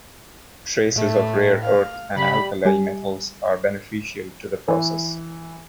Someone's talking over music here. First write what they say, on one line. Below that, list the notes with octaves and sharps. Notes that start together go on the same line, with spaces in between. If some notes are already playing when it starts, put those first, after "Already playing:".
Traces of rare earth and alkali metals are beneficial to the process.
A2 A3
F5
C#3 G3 B5
G3 G4 G#5
E3